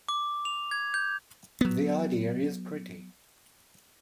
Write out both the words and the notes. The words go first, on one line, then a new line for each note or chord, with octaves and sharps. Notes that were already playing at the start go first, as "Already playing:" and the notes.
The idea is pretty.
D6
F7
G#6
G6
F#3 B3